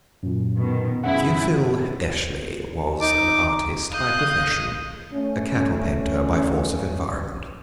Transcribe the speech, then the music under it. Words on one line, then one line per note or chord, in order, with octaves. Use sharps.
Theophil Eshley was an artist by profession, a cattle painter by force of environment.
F#2 A#2
B2 D#3
F#2 G#3 C#4 E4 F#5
D#4 D6
D#5 F5 D#6 F#6 G6
A3 C#4